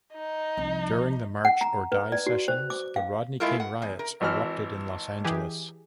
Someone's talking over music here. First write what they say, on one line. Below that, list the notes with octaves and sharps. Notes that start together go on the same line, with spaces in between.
During the "March or Die" sessions, the Rodney King riots erupted in Los Angeles.
D#4
C2 F3
F#5
A#5
B4
D5
F#4
C5
D6
F5
G#3 A3 E4 F4 A4 A#4
F#5
E2
A#4
G#1 E3 F6
E3 G4 G#4